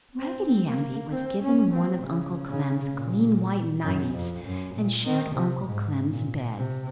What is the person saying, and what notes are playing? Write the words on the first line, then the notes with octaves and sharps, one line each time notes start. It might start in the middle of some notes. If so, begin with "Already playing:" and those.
Raggedy Andy was given one of Uncle Clem's clean white nighties and shared Uncle Clem's bed.
C4
A#3
C4
C#4
C4
C#3
C#3
A#2
F#2
F2
F#2
A#2
D#3
C3
G#2
A#2
C3